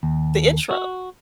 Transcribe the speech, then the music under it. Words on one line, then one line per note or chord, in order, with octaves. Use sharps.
the intro.
D#2
F#4